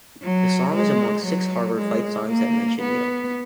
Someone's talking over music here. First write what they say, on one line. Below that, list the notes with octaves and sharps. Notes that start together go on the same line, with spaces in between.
The song is among six Harvard fight songs that mention Yale.
F#3
G#3
F#3
G#3
A#3
B3